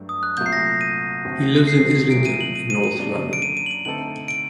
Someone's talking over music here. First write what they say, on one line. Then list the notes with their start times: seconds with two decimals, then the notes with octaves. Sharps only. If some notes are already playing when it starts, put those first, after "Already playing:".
He lives in Islington in north London.
Already playing: G2 F#3 A3 D4
0.09 D#6
0.23 F#6
0.37 C2 A#2 F#3 A3 G6
0.46 C7
0.53 A#6
0.66 C7
0.81 D#7
1.25 D#2 D3 A3 C4 F#4
1.67 C7
2.11 A#2 F#3 A3 D7
2.25 D#7
2.41 F#7
2.55 D#7
2.70 D#7
2.84 D#7
2.98 F#2 F#3 A#3 D4
3.33 D7
3.42 D#7
3.57 D#7
3.66 F#7
3.71 D#7
3.85 D3 A3 C4 D#4 A4 F#7
4.28 D7